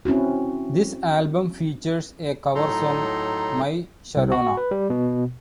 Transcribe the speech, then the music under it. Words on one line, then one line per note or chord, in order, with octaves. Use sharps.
This album features a cover song My Sharona.
C4 C#4 E4 F#4
A2 F#3 D#4 A4 A#5 C6
C2
F#4
B4
G3
B2